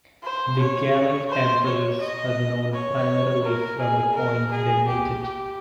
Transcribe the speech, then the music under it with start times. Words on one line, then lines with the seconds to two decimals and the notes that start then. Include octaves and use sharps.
The Gallic Emperors are known primarily from the coins they minted.
0.23 C5
0.58 C#5
1.30 C5
1.65 C#5
2.00 D#5
2.73 C#5
3.44 A#4
3.79 G#4
4.15 A#4
4.51 G#4
4.87 G4
5.23 G4